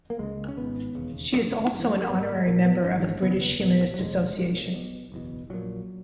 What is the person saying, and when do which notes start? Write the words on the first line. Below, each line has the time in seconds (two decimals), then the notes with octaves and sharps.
She is also an Honorary Member of the British Humanist Association.
0.10 A#3
0.19 C#2 C#3 G#3
0.48 C#4
0.57 G#1 G#2 B3
0.95 E1 D#2 C#3
1.32 G#1 F#2 C#3 C#4
1.51 B3
1.70 F#1 F#2 C#3
1.79 E3
1.87 F#3
1.94 G#3
2.01 A#3
2.08 G#1 G#2 B3
2.21 A#3
2.34 G#3
2.46 A#1 A#2 A#3
2.65 B3
2.84 G#1 G#2 C#4
3.22 E1 D#2 C#3 B3
3.41 B3
3.60 A#1 A#2 B3
3.94 F#3
3.98 F#1 E2 B2 G#3
4.36 B1 A#2
4.74 B1 B2
5.12 F#1 E2 B2
5.50 A#1 A#2 F#3